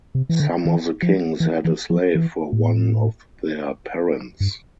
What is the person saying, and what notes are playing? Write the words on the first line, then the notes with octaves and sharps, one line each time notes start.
Some of the kings had a slave for one of their parents.
C3
E3
D3
E3
F3
E3
E3
F3
E3
A2
G2